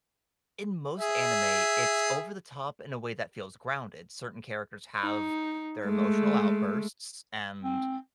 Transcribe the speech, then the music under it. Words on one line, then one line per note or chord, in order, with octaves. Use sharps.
in most anime, it's over the top in a way that feels grounded. Certain characters have their emotional outbursts, and
G#4 E5
D#4
G#3 A3
C4